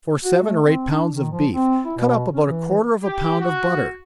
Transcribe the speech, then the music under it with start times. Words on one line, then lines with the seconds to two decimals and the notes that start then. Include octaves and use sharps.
For seven or eight pounds of beef, cut up about a quarter of a pound of butter.
0.25 F#4
0.42 A3
0.64 C4
0.89 D4
1.14 D#3
1.31 F3
1.54 C4
1.85 E4
1.97 B2
2.32 C#4
2.48 E3
3.03 G4
3.39 F#4